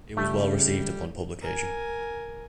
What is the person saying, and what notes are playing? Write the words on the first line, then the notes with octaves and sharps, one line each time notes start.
It was well received upon publication.
C#2 C#3 G3 A3
A#4 G#5